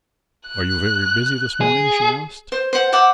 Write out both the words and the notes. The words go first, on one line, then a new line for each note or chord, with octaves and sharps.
"Are you very busy this morning?" she asked.
F#6
G#4
C5
C5 F#5
C5 E5 F#5 D6